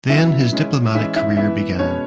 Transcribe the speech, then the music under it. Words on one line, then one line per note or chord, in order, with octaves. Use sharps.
Then his diplomatic career began.
C#3 F#3 B3 E4 E5
C#3 G#3 C#4
E3 G#3 C#4 E4 E5
E4 E5
E3 B3 E4 E5
B2 G#3 B3 C#4 C#5